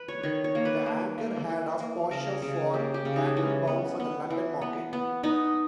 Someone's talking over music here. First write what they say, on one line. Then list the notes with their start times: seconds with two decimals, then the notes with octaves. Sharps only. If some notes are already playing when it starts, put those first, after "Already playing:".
The Anchor had of pasture for cattle bound for the London market.
Already playing: B4
0.08 C#5
0.23 D#3 C#5
0.44 C#5
0.55 A#3
0.65 B4
0.86 A#3
1.18 A#3
1.49 E3
1.80 A#3
2.11 C#3 A#4
2.42 C#3
2.74 A#3 G4
2.94 G4
3.05 C#3
3.16 D#4
3.36 E3 C#4
3.67 B3
4.00 B3
4.30 E3
4.61 B3
4.93 B3
5.23 B3 D#4